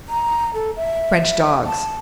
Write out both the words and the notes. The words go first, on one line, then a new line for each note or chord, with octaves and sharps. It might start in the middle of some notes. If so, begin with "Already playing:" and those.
"French dogs!"
A#5
A4
E5
A5